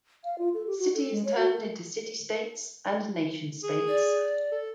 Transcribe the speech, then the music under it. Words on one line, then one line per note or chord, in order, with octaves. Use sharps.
Cities turned into city-states and nation-states.
F5
F4
A4
G4
F#4
A4
G#3
C#5
F#4
A#4
G#4
D5
A4